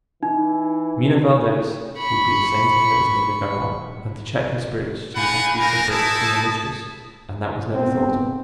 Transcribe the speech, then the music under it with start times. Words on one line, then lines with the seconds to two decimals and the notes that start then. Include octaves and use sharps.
Minha Valdez would be the same to her as Minha Garral, and to check her spirits she would have to be separated from her mistress, and that was never thought of.
0.23 E3 D#4
1.97 B5 C#6
5.15 D4 D#4 F5 F#5 G#5 B5
5.59 C4 D4 A#4
5.90 D#4 E4 A5 D#6
7.75 B3 C4